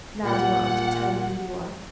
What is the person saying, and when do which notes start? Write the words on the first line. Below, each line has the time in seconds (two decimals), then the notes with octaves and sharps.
Now do you want me to tell you who you are?
0.24 A#2 F#5